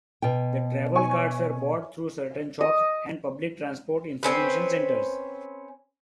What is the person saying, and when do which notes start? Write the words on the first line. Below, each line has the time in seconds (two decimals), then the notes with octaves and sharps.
The travel cards were bought through certain shops and Public Transport Information Centres.
0.22 B2 G5
0.95 C#5 G#5 C#6
2.61 D#5
4.23 C4 C#4 B4